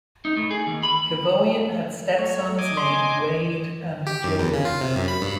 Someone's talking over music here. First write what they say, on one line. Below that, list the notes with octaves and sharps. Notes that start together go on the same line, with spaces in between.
Kevoian has stepsons named Wade and Joey.
D#4
A2
G#4
D#2
B5
A3 C#5
D#5 G#5 D6
C6
G4
F#2
E2
C#3
F4
C3
F#2
B5
G2